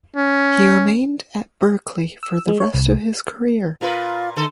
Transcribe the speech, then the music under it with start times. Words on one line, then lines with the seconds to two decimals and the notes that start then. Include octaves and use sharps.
He remained at Berkeley for the rest of his career.
0.17 C#4
2.23 E6
2.48 G#3
2.60 C#5
2.74 C2
3.81 A#2 F4 A#4 B4
4.36 D3 A4 C6